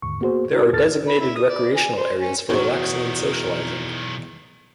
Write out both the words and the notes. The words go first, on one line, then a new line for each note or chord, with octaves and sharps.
There are designated recreational areas for relaxing and socializing.
D#2 G#2 D3 C#6
A#3 B3 F#4 G#4 C5
C4 D4 E4 F#4 A#4 D5
D#2 A2 A4 F6 A6
B5
E4
D#6
D5
G#5
C5
C#4
B1 E2 D#3 F#4 C#5